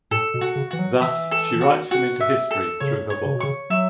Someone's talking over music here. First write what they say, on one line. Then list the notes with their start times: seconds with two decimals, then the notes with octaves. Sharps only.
Thus, she writes him into history, through her book.
0.11 A2 A4
0.34 B2
0.41 F#4
0.56 C#3
0.71 E3 F#4
0.79 F#3
1.01 E3 E5
1.31 A4
1.61 F#4
1.91 F#4
2.20 E5
2.51 A4
2.80 C#3 C#5
3.10 C#5
3.25 C#3
3.34 B2
3.40 C#3 C#6
3.70 F#3 E5